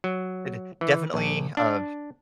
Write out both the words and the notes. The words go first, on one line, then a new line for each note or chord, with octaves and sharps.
eh, d definitely, uh,
F#3
E3
A#1
D4